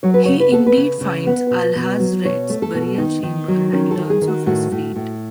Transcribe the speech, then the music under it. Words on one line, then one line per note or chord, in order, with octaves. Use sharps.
He indeed finds Alhazred's burial chamber and learns of his fate.
F#3 C#5
B4
C#3 C#5
B4
B3 A4
B4
C#3
C#3
B3
B2
B2
F#3
B2 C#5
A3
A4
B2
D#3 D#4
D#3
F#3
D#3 C#4
A4
D#3
G#4
D#3
F#4
A2 F#4
A2
A2